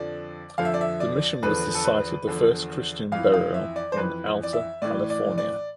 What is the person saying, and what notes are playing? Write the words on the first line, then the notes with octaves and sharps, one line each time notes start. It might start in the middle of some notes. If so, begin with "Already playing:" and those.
The mission was the site of the first Christian burial in Alta California.
Already playing: F2 D3 F3 D5
F2 D3 F3 F5
E5
D5
E5
D5
E2 D3 F3 B4
A4
B4
E2 D3 F3
F2 E3 F5
F5
E5
D5
C5
F2 E3 B4
D5
E5
A2 E3 D5
D5
D5